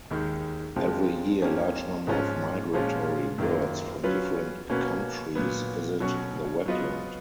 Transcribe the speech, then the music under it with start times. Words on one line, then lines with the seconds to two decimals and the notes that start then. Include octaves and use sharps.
Every year large number of migratory birds from different countries visit the wetland.
0.11 D#2 D#3 G#3 D#4
0.76 F2 C#3 F3 G#3
1.42 F2 F3 A#3 C#4
2.07 G#2 F3 G#3 C#4 F4
2.73 A#2 F3 G#3 C#4 F4
3.38 F#2 D#3 A#3 F4 A#4
4.03 F#3 C#4 F4 B4
4.69 B2 A#3 C#4 F#4 B4
5.35 A#2 F#3 B3
6.00 B2 F#3 C#4 F#4 C#5
6.66 F#3 B3 F4 B4 D#5